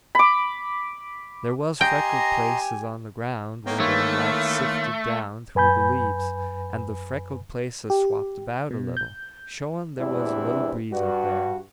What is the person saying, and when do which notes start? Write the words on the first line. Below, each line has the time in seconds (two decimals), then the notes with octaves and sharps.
There was freckled places on the ground where the light sifted down through the leaves, and the freckled places swapped about a little, showing there was a little breeze up there.
0.15 B5 D6
1.81 G4 D#5 G5 G#5 A#5 C6
3.66 D#3 A#3 B3 C#5 G5
3.80 D#3 E3 A3 A#3 F4 C#5 E6
5.55 F#2 B4 G#5 B5 G6
7.90 G4
8.71 B2
8.97 G6
9.98 E2 G2 C3 G#3 D4 E4
10.92 G2 F#4